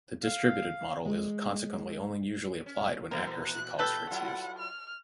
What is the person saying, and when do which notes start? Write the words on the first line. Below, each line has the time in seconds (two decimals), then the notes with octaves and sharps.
The distributed model is consequently only usually applied when accuracy calls for its use.
0.23 F5
1.05 G#3
2.66 C#4
3.11 A#2 E3 A3 A#4 C5
3.43 F#6
3.79 G3 A4 B4 G6
4.10 F#3 E4 F4 F#5
4.59 F6